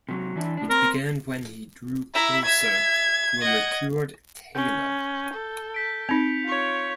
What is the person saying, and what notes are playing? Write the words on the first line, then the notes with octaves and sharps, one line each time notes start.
It began when he grew closer to a matured Taylor.
C3 F#3
E3 D4 E4
A2 D4
C4 A#4
E4 E5 A#5
E5 G#6
D#5 F#5
C#4 G6 G7
A4
G6 B6 D7
C4 D#4 C#7 F7
F4 C#5